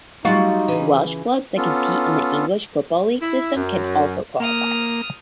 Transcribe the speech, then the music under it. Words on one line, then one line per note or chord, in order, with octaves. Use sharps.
Welsh clubs that compete in the English football league system can also qualify.
F#3 G3 D#4 F4 F#4
C#3 E3
B3 C#4 F4 A4
E4
F#2
A#3 D#6 F6